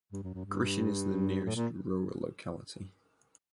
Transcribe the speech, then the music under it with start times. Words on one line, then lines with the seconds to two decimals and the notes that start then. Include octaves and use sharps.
Grishin is the nearest rural locality.
0.13 G2
0.24 F#2
0.34 F#2
0.46 G2
1.45 A2
1.56 A#2